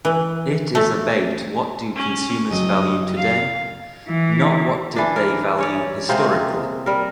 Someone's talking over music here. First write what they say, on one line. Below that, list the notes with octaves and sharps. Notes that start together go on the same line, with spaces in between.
It is about what do consumers value today, not what did they value historically.
E3
A3
C#4
F#1 F#3 D#5
F5
E3
E3 D4
A#4
C#4 C#5 D5
C3 G#3 A#3 C4
G3 A#4